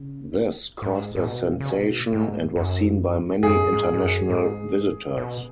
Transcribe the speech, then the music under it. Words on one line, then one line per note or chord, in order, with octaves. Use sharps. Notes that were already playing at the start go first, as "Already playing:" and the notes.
This caused a sensation and was seen by many international visitors.
Already playing: C#3
G#2
G#2
B2
C#3
B2
G#2
F#2
F#2 G#4
G#2
G#2
F#2
G#2
B2